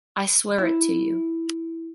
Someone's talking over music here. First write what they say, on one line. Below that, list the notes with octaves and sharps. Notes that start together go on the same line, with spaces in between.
I swear it to you.
E4